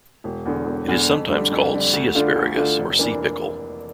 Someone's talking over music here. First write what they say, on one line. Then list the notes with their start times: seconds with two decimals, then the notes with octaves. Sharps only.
It is sometimes called sea asparagus or sea pickle.
0.24 E1
0.46 E2 D3
0.66 E1
0.88 E2 D3
1.09 F2
1.30 D3 G3
1.51 F2
1.73 D3 G3
1.93 D2
2.15 D3 A3 D4 F4
2.35 D2
2.57 D3 A3 D4 F4
2.78 F1
2.99 E3 A#3 D4